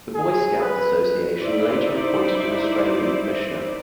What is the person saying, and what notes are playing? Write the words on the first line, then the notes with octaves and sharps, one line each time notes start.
The Boy Scouts Association later appointed an Australian Commissioner.
G#4
B4
D#4 E4 C5 D5